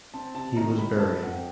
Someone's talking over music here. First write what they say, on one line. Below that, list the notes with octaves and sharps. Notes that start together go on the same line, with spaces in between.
He was buried.
C4 A5
C3 A5
D#3 A#5
C3 B5
F2 A5
F2 F#5
G5